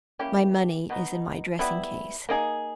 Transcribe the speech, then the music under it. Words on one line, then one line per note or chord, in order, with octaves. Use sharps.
My money is in my dressing-case.
A#3 C#4 E4 G4
B2 F#3 B3 D#4
G3 B3 E4
A#3 D#4 G#4